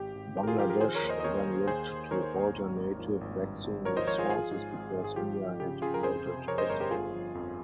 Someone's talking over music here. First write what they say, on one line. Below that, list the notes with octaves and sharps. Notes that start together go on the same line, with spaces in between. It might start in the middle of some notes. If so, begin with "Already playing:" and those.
Bangladesh then looked to alternative vaccine sources because India had halted exports.
Already playing: G#1 G4
G#1
G#1 G4
A#4
F4 G#4
F3 G4 A#4
G4 A#4
D#3 G#4 C5
A#4 C#5
D#2
C5 D#5
D#5
D#2 A#4 C#5
D#2
D#2 G#4 C5
D#2
D#3 A#4 C#5
D#2
G#1
G#1
F3
G#1
G2
G#1
F3 A#4 C#5
C5 D#5
F3 A#4 C#5
F4 G#4
F3 F4 G#4
G#2
G#1
G#1
G#4
F3 G4
F3
C#3 G4
C#3 F4 G#4
A#4
F2 G#4 C5
C3
F2 A#4 C#5
C5 D#5
G1 A#4 C#5
G4 A#4
G1 F4 G#4
F3
F2